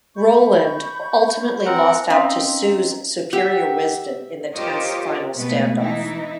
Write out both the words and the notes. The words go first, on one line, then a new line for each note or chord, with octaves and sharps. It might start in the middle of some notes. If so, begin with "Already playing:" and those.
Roland ultimately lost out to Soo's superior wisdom in the tense final standoff.
B5 C#6 G6
C4 A#4 F#5
C4 C#4 D#4 F5 C6 D#6 B6
G4 E5 F#5 G5 G6
F4 G4 A#4 C5 C#5 D#5
B2 G#3 A3 B3 B4
E3 D#4 E4